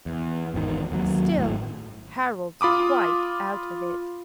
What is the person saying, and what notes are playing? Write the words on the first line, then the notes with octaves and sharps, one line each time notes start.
Still, Harold's quite out of it.
E2
G#1 E2 C3 D#3
D#2 F#3
G#1 A2
F4 B5 D6 D#6